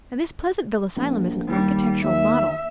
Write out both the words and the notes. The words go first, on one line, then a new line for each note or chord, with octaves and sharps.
And this Pleasantville asylum is an architectural model.
A#1
D#2 G3
D#2 E5